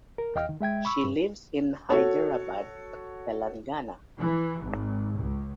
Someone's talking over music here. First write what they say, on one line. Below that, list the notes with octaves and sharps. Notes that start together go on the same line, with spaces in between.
She lives in Hyderabad, Telangana.
A#4
E2 D#5 F5 G5 F6
D#3
G#3 E5 G5 G#6
B5 C#6 E6
G2
F#4 A4 C#5
E3
G#1
C#2